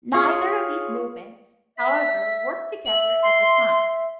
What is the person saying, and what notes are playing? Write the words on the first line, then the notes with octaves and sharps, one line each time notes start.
Neither of these movements, however, worked together at the time.
F4 G#4 C#5
E5 B6
E5 F#7
C6